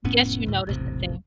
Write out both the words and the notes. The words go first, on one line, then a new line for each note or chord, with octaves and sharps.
guess you noticed the
F1 A2 B3 C#4
D2 A2
E1 A1 C3